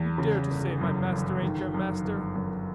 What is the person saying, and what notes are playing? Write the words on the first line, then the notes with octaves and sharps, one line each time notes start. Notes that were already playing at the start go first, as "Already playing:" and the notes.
You dare to say my master ain't your master!
Already playing: E2
C#3
G1
F#2
G1
D#3
F#2
G1
F#2